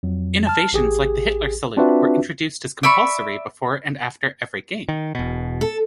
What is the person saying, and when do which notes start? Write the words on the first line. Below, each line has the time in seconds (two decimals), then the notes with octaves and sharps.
"Innovations" like the Hitler salute were introduced as compulsory before and after every game.
0.03 F2 F#3
0.47 A5 F6
0.73 A1 G4 G#4
1.77 C4 D4 F4 F#4 B4 E5
2.83 D5 E5 B5 C#6
4.89 D#3
5.15 E1 B2
5.61 A4